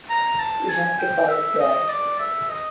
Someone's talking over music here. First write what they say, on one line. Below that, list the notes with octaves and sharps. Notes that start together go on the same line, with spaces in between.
We had to fire Brad.
A#5
A5
G#5
G5
E5
D#5
D5
E5
D#5